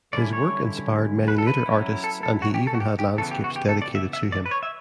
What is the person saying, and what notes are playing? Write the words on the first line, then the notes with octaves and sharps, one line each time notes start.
His work inspired many later artists and he even had landscapes dedicated to him.
D3 G3 C#4 E4 D5
C#5
B4
A4
B4
F#3 C#4 E4
A4
A4
F#4
G4
A4
F#4
G4
G4
C#3 E3 B3 A4
G4
F#4
G4
A4
D5
E5
E5
D5
B4
C#5
E5